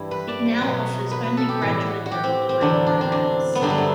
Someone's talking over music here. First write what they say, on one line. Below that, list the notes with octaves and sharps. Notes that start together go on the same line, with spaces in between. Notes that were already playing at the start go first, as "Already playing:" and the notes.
It now offers only graduate-level degree programs.
Already playing: G2 E3 G3 E4
B4
D5
C5
B2 F#3 B4
B4
B4
A4
G4
A2 E3 G3 E4
F#4
F#4
G4
C4
C4
E2 D3 F#3 D4
D4
C4
D4
B3
G2 D3 F#3 C4
A3
B3